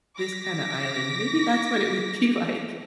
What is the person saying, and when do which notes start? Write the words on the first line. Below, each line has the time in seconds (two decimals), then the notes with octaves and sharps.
this kinda island, maybe that's what it would be like.
0.15 D6 A#6 B6